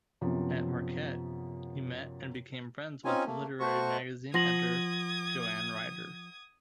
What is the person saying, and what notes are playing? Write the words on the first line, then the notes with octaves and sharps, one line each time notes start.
At Marquette, he met and became friends with the literary magazine editor, Joanne Ryder.
F#2 C3 F3 B3
C4 C#4 D#4 F4 G#5
A3 A#3
A3 F#4 C5 C#6
F3 F#5 D#6 G#6 A#6 F#7